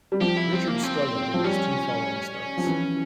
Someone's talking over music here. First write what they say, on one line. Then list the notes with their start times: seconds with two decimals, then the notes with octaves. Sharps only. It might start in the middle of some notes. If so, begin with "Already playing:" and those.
Richard struggled in his two following starts.
0.12 G3
0.21 F3 G4
0.37 E4
0.52 C4
0.68 A#3
0.83 C4
1.34 F3
1.44 G3 C#4
2.57 F3
2.67 E3